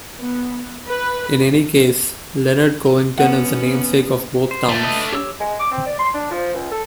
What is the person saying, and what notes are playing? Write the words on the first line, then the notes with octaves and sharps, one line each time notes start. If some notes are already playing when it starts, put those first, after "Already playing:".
In any case, Leonard Covington is the namesake of both towns.
B3
B4
B3 C#4 F#5
C5
A3 D4
B4 D#5
G4 C#5 E6
G#3
D6
C4
D5
C6
D4
F3
C#2
A4